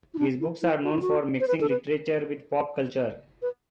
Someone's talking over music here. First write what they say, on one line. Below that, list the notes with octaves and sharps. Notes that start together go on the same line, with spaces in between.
His books are known for mixing literature with pop culture.
E4
D4
E4
E4
F#4
E4
F#4
C5
B4
A4
B4
B4